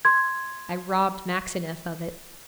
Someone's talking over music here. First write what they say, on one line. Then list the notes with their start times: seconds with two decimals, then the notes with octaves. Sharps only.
I robbed Maxineff of it.
0.05 C6 G#6